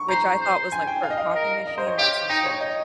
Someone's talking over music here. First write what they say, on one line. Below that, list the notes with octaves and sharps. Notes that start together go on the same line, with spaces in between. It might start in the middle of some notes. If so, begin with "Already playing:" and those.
which I thought was like, for a coffee machine, that's insane.
Already playing: C#6
C5 A#5
C5
G#5
G5
F5
D#5
F5
A#4
D#5
C5
C#5
G4 F5
D#4 G5
C#5
D#5